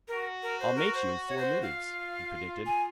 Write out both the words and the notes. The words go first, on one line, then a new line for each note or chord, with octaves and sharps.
"I'll mate you in four moves," he predicted.
F#4 A#4
A#4
C5
A#4
C5
C#5
C5
F4 F5
G#5